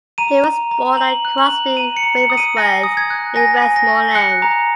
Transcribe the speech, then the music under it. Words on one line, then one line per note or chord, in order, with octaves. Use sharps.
He was born at Crosby Ravensworth in Westmorland.
A#5 D#7
A#5
A#5
A#5 F#7
F#6
F#7
A#5
A#5 D#7
C#7
A#5
C#7
D#6
D#7
G#5 A#6
D#6
G#6
F#6
G#5 A#6
G#5
A#6
G#5
F#6 C#7
A#5